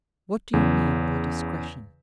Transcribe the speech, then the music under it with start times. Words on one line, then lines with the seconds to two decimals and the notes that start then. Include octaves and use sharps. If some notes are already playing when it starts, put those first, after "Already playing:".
"What do you mean by discretion?"
0.53 E2 C#3